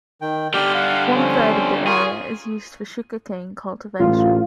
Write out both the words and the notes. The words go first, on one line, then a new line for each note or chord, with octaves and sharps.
One third of the area is used for sugar cane cultivation.
D#3 G5
D3 G3 G4 F6
F5 F#5
F3 C4 C#4
F4 G#4 A#4 C#6
A1 F4